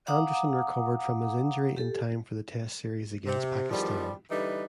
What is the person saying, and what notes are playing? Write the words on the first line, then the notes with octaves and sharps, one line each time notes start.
Anderson recovered from his injury in time for the Test series against Pakistan.
F5 F#5 A#5 D6 D#6
G4 A4
C3
E2 D#3 F3 G3
D3 E3 G3 D#4 B4